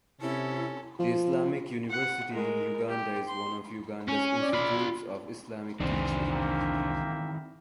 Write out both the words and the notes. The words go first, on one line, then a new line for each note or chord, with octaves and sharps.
The Islamic University in Uganda is one of Uganda's institutes of Islamic teaching.
C3 C#4 E4 A4
F3
F#5
G#3 A#4
G4
C6
C#4 G#5
D5
F4 B5
C2 F2 D#3 E3 C4 D4 C5
A#3 E5 G5